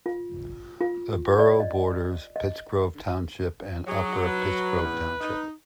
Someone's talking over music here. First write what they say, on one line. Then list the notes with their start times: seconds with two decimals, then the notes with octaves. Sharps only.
The borough borders Pittsgrove Township and Upper Pittsgrove Township.
0.06 F4
0.81 F4
1.39 D5
1.60 D#5
2.36 D#5
3.88 F#3 G#4
4.27 B4
4.82 E2
5.21 D#4